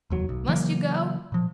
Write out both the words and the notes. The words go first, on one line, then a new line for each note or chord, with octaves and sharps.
Must you go?
F1 D#2 F#3
B1
C#3 E3 F#3 A#3
A#2 F3